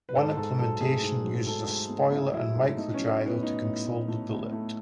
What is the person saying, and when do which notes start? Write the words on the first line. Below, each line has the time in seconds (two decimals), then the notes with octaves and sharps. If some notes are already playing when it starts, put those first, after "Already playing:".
One implementation uses a spoiler and micro gyro to control the bullet.
0.09 B4
0.15 G#2 A4
0.37 G#2 A4
0.59 F#3 A4
0.81 A3 G#4
1.03 G#2
1.24 F#3
1.46 G#2 A4
1.68 G#2
1.89 A3
2.12 A3 E4
2.34 F#3 E4
2.55 G#2
2.77 A3 D#4
2.94 F#3 C#4
3.21 A2
3.26 B3
3.43 A2 D#4
3.65 A2
3.86 A2
4.08 A3
4.30 A2
4.52 A3